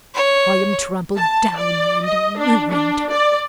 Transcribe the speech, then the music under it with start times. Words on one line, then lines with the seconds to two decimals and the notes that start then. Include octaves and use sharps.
'I am trampled down and ruined.
0.15 C#5
1.17 A5
1.56 D5
2.05 D#5
2.39 D4
2.71 D4
3.10 D5